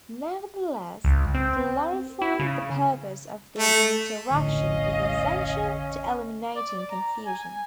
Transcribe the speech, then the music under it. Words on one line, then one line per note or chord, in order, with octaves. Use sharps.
Nevertheless, clarifying the purpose of the interaction is essential to eliminating confusion.
C#2
C4
E4
C#3
A3
F1 A#1 A2 D3 C#4 D#5 F5
D5
A#5
G#5